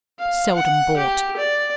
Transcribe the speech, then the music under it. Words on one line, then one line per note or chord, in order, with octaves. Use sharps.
Seldom bought.
F5
F#5
G4
D5